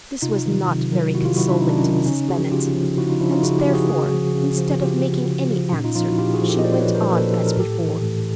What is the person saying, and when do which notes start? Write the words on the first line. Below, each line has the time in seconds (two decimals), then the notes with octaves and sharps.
This was not very consoling to Mrs. Bennet, and therefore, instead of making any answer, she went on as before.
0.22 C3 D#4 F4
0.46 D#3 F#3
0.68 C3
0.92 D#3 F#3
1.14 C3 E4 F#4
1.25 F4 G4
1.37 D#3 F#3 E4 F#4
1.48 D4 E4
1.61 C3 D#4
1.69 D4
1.78 C#4 D#4
1.84 D#3 F#3
2.05 C#3 C#4 D#4
2.28 F3 F#4 G#4
2.51 C#3 F4 G4
2.75 F3
2.97 C#3 E4 F#4
3.08 D#4 F4
3.20 F3 D4 E4
3.31 D#4 F4
3.43 C#3 E4 F#4
3.58 F4 G4
3.66 F3
3.74 F#4 G#4
3.89 C#3 F#4 G#4
4.13 F3
4.35 C#3
4.58 F3
4.81 C#3 F4 G4
5.04 F3
5.27 C#3
5.50 F3
5.72 A#2 C#4 D#4
5.84 D#4 F4
5.95 F3 D#4 F4
6.07 E4 F#4
6.18 A#2 F4 G4
6.34 F#4 G#4
6.41 F3
6.49 G4 A4
6.59 D#5
6.64 A#2 C5 D5
6.79 B4 C#5
6.87 F3
6.95 A#4 C5
7.10 A#2 A4 B4
7.33 F3 A4
7.47 A#4
7.57 A2 G4 A4
7.79 E3
8.02 A2